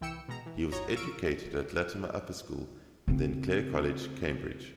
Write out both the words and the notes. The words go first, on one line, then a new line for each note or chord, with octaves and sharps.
He was educated at Latymer Upper School and then Clare College, Cambridge.
C2 E3 E4 G5 E6 C#7
B2 G#3 A#5
E3
G1 F#4 C#5 D#5 A#5
F5 C#6 E6 D7
C#3 C4